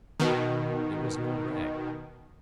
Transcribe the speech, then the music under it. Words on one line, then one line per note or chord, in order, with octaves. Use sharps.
It was an old rag.
B2 D#3